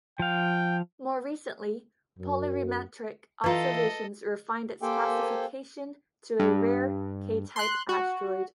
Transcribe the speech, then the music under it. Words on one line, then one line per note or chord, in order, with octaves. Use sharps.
More recently, polarimetric observations refined its classification to a rare K-type asteroid.
F3 F5 G5
F#2
E3 F4 A4 B4 D#5 A#5
A#3 G4 A4 C5 G5 G#5
G2
C6 F#6
F#4